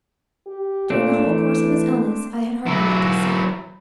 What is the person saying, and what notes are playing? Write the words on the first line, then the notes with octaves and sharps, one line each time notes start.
During the whole course of his illness I had hardly left his side.
G4
A#2 A3 C4 D4
E3
F#3 E4